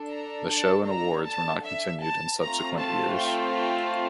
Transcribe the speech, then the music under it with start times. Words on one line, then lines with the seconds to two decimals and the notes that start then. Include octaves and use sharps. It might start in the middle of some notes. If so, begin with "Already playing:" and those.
The show and awards were not continued in subsequent years.
Already playing: D4 A4
0.13 A#5
0.51 A5
0.89 A#5
1.27 A5
1.65 E5
2.04 A5
2.42 A3 C4 F4 A#5
2.80 A5
3.19 G5
3.57 G5